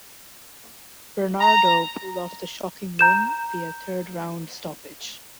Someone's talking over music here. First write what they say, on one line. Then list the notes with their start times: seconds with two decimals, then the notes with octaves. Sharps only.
Bernardo pulled off the shocking win via third round stoppage.
1.40 A#5
2.99 A#5 G6 E7